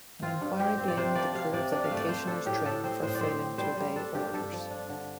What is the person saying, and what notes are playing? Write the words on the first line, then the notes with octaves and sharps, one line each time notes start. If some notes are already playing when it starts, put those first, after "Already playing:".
An inquiry blamed the crew of the vacationers' train for failing to obey orders.
C4 F4
G2
C4 G4
C4
D5
C3 C5
F3 D5
C3 F5
C3 D5
D4 D5
F5
A3
D5
A3 C5
D4 A4
A2 G4
A2 A4
C4 C5
A2 C5
D5
C4 C5
C4
G3 C5
G3
D4 A4
G2 G4
G2 A4
F3
D4
D3